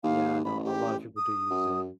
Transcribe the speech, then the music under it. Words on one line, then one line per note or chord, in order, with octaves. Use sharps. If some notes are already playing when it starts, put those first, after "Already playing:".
Yeah. I know. A lotta people do use Zen.
D#2 F5
A1 B5
G4
D#6
F#2